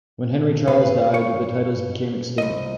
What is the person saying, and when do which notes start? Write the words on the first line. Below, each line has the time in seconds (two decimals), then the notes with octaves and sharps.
When Henry Charles died, the titles became extinct.
0.68 B2 B4 F5
1.14 C#5
2.38 C2 D#5